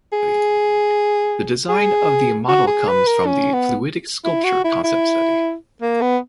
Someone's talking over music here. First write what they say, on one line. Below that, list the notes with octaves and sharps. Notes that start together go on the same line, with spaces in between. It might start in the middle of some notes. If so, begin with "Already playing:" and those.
The design of the model comes from the Fluidic Sculpture concept study.
G#4
G#4
F#4
G#4
B4
A#4
C#4
B3
E4
F#4
E4
E4
A#3
B3